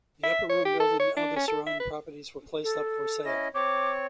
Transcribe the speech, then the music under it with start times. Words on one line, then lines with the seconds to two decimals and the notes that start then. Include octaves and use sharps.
The Upper Room building and other surrounding properties were placed up for sale.
0.23 E5
0.50 C#5
0.65 G4
0.80 A4
1.00 C#5
1.16 D4
1.36 C#4
1.48 A4
1.66 E5
1.80 B4
2.64 A4
3.25 C#4 E4 D#5
3.55 C4 C#5 D6